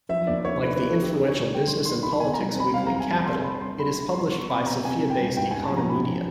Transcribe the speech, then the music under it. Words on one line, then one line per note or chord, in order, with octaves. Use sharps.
Like the influential business and politics weekly "Capital", it is published by Sofia-based Economedia.
F3 E5
D#2 D5
D3 C#5
D3 B4
A#3 B4
A4
D3 G4
D#3 G#4
D#3 C#5
D5
G3 G5
G3 C6
D#3 C6
D#3 B5
B2 G#5
A#5
G3
C4 B5
G3 F5
A#5
C4
G#5
G3
A5
C4 C6
G3 B5
G3 C6
G3 B5
D#4 B5
G3 C6
B3 C#6
C3 B5
B3 A#5
C3 G#5
C3
G5
G3
G#2 G5
C#4 G#5
A5
F3 A#5
F3 B5
F3